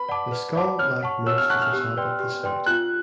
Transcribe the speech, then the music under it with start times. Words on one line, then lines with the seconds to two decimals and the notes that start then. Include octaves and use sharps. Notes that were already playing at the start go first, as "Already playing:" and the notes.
The skull lacked most of the top of the snout.
Already playing: B4 B5
0.09 D5 F#5 A5 D6
0.32 B4
0.55 D5 F#5 A5 D6
0.79 C#5 F6
1.03 F#5 A5 C#6
1.26 C#5 E6
1.38 F6
1.49 F#5 A5 C#6 F#6
1.62 F6
1.74 G4
1.97 B4 D5 G5 C6
2.20 G4
2.43 B4 D5 G5 C6
2.66 F4 F#6